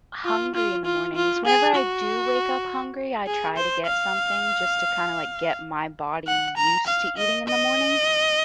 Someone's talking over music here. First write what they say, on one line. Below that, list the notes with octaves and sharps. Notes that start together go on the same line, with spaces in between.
hungry in the mornings; whenever I do wake up hungry, I try to get something just to kinda, like, get my body used to eating in the morning.
F4
F4
F4
F4
G#4
F#4
G#4
C5
F5
F#5
A#5
F5
D#5
D#5